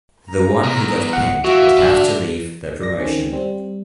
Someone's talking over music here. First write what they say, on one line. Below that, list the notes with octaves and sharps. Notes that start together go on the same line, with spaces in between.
The one who got pinned would have to leave the promotion.
A#5
E2
F#5
E3 F#4 E5 F5
D3 D4
D5 A#6
D#3 C4 C#4
G3 C4